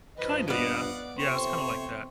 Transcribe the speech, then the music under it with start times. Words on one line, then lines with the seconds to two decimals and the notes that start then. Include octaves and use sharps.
Kinda, yeah. Yeah, it's kinda like that,
0.17 G2 D#3 F3 B4 D#5
0.48 B3 D5 F5 F#5 D6
1.19 C3 F3 A3 C4 C5 C#5